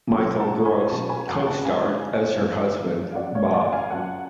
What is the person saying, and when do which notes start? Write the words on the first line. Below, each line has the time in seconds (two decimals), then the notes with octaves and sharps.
Michael Gross co-starred as her husband, Bob.
0.14 B2 F#3 C#4 F4
0.40 F#5 A5
0.65 G#5 B5
0.89 B2 F#3 C#4 F4 A5 C#6
1.09 G#5 B5
1.28 F#5 A5
1.47 F#5 A5
1.60 F#5
1.65 D3 G#3 D4 F4 F5 G#5
2.41 D3 G#3 D4 F4
3.11 F5
3.15 F#3 C#4 F4 D5 F#5
3.34 C#5 F5
3.53 D5 F#5
3.72 F5 G#5
3.91 F#3 C#4 F4 F#5 A5